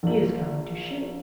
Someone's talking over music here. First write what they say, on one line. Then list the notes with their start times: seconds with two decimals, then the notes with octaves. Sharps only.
He is coming to shoot.
0.03 A#1 A#3 F#7